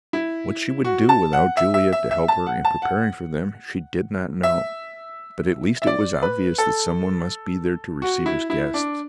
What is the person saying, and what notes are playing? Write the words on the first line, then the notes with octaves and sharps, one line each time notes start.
What she would do without Juliet to help her in preparing for them, she did not know, but at least it was obvious that some one must be there to receive his guests.
E4
F#4
A5
F#5
E5
E5
E5
E5
A5
F#5
A5
F#5
E5
E5
D5
B4
A4
F#4
E4
E4
D4